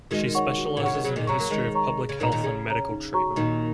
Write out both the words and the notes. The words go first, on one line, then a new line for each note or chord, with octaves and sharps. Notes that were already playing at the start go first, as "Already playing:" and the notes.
She specializes in the history of public health and medical treatment.
D#3 G#3 F#4
C#5 F#5 C#6
F#4
A#2
C#3 C#5 F#5 C#6
D#3
C#3 F#3 G#4
A#2 D#3
C#3 F#3 C#5 A#5 C#6
F#3 A#3
D#3 G#3 G#4
C#5 A#5 C#6
G#4
C#3
A#2 D#3 C#5 A#5
A#2 D#3
C#3 G#4
C#5 A#5
D#4
F#4 C#5 A#5 C#6
A#2 D#3 D#4